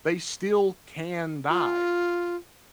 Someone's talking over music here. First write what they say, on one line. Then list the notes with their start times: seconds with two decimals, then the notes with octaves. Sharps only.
they still can die.
1.50 F4